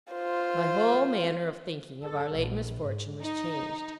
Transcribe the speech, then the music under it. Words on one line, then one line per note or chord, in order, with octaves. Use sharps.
My whole manner of thinking of our late misfortune was changed.
F4 C5
A4
A#1
G#2
D#4